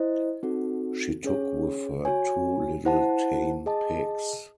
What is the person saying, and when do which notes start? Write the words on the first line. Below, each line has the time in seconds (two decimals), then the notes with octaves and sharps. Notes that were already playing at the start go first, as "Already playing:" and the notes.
She took with her two little tame pigs.
Already playing: E4 C5 D#5
0.43 C4 D#4 F#4 A4
1.24 C#4 G#4 C#5
2.05 F#4 C#5 G#5
2.85 E4 C5 F#5 A5
3.66 G#4 D#5 A5